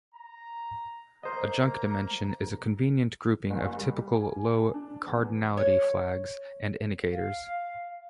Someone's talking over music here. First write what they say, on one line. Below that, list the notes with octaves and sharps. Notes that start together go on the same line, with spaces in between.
A junk dimension is a convenient grouping of typically low-cardinality flags and indicators.
A#5
A#3 C5 D#5 A#5
F#1
G3
G#5
D4
E2
C#5
F5